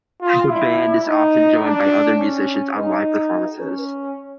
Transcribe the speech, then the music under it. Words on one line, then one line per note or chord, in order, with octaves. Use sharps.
The band is often joined by other musicians on live performances.
F4
E4
D#4
D4
C#4
D#4
C#4